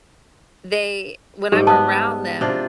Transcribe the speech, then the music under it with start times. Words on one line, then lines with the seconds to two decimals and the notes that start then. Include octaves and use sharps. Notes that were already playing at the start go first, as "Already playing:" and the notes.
they when I'm around them,
1.52 G#2 G3 G4
1.67 B3 A5
2.41 C3 D4 F4